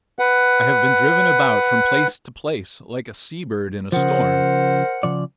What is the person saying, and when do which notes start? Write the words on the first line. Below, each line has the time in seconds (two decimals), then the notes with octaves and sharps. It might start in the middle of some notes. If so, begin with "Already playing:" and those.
I have been driven about from place to place, like a seabird in a storm.
0.19 B4 F#5
3.92 C#3 F3 A#4 C5 F#5
5.03 C#3 F3 D5